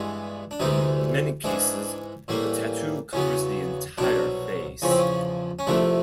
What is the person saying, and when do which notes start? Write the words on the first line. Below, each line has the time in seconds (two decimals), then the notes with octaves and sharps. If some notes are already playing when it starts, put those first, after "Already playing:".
In many cases the tattoo covers the entire face.
Already playing: G2 E3 G#3 B3
0.51 D4
0.60 D2 C3 E3 G3 D#4
1.44 G#2 E3 G#3 D4
2.28 A2 E3 G3 A#3
3.13 E2 C#3 F#3 B3 C#4
3.98 C2 B2 F#3 D4
4.82 E2 C#3 F3 C#4
4.90 C4
4.99 C#4
5.59 C#4
5.67 C2 C3 F3 A3 D4